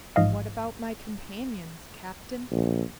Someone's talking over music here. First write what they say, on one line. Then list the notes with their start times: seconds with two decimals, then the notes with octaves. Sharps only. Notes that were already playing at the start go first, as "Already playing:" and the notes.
"What about my companions, captain?"
0.16 A1 G#2 F3 D#5 F5
2.52 A#1